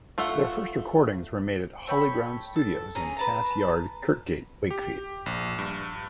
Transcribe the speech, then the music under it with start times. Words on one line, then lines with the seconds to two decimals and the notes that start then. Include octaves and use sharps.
Their first recordings were made at Holyground Studios in Cass Yard, Kirgate, Wakefied.
0.18 A3 F4 E5 F#5
1.87 A4 C#5 G5 B5
2.56 A4
2.95 C#4 G#4 A#5
3.17 B4 A5 A#5
4.71 G4
5.26 A#1
5.59 G2